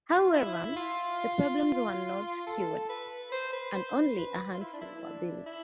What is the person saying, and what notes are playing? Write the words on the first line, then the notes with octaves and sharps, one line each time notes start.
However, the problems were not cured, and only a handful were built.
F4
E4
E4
F4
A4
B4
C5
B4
C5
B4
F4
E4
D4
E4
D4
E4